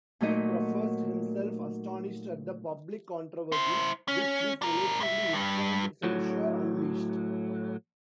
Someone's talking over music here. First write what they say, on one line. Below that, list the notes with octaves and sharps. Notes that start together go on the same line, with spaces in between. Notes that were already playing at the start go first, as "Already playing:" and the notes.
He professed himself astonished at the public controversy which this relatively restrained censure unleashed.
A#2 F#3 A3 D#4 D#5
E4 C5
C#4
D4 A#4
G2 E5
G2
A2 F#3